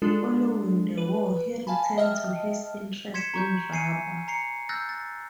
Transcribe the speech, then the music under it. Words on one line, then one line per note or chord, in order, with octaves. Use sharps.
Following the war, he returned to his interests in rubber.
G#3 D4 F4 A4
B4
F5 G#5 A5 B5
D#5 E5 G5 A5 F6
C6 G#6 B6 C#7 E7
A#5 C#6 G6
G#5 C7 C#7 D#7
A#5 C7 C#7
E6 F#6 G6 A6 A#6
A6